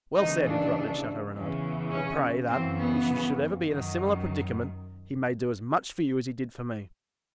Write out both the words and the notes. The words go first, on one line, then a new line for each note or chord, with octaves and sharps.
"Well said," interrupted Chateau-Renaud; "and pray that, if you should ever be in a similar predicament, he may do as much for you as he did for me."
D#2 C#3 E3 D#4
D4
E2 C#3 E3
C#4
F#2 C#3 E3 C4
B3
F#2 D#3